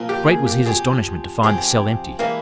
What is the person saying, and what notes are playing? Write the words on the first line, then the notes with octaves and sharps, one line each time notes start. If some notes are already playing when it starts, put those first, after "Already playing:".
Great was his astonishment to find the cell empty!
Already playing: A#2 F3 A#3 F4
G4
G#4
G4
F3 C4 G4 G#4
F3 C4 G4 G#4
E3 G#3 A#3 E4 G4